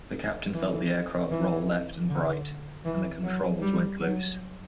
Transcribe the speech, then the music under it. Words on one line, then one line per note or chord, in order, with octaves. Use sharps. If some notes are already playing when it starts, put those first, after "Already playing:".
The captain felt the aircraft roll left and right, and the controls went loose.
E3
E3
D3
E3
F#3
G3
F#3